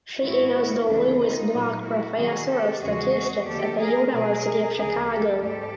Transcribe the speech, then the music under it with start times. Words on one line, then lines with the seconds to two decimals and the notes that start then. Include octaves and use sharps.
She is the Louis Block Professor of statistics at the University of Chicago.
0.22 G#2 D#3 G#3 C4 E4 F#4
0.87 D2 C#3 E3 A3 D4 E4
1.19 D#4 F4
1.52 A#2 F#3 A#3
1.84 E4 F#4
2.16 C3 D#3 F#3 A#3 F#4 G#4
2.49 G4 A4
2.81 E2 C#3 F3 G#3 F#4 G#4
3.46 D#2 D3 F3 A#3 G4 A4
3.80 G#4 A#4
4.11 B2 F#3 A3 G#4 A#4
4.76 D2 C#3 F3 G#4 A#4
5.08 G4 A4
5.41 G#2 E3 A3 C4 G4 A4